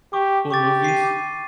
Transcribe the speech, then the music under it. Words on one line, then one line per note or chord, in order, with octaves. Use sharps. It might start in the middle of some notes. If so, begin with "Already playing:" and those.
Cool movies?
G4 C#6 D6
G4 C#6 D6 A6
C7 D#7